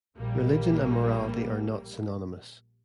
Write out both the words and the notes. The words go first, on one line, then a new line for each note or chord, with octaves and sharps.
Religion and morality are not synonymous.
A#1 G3 A#3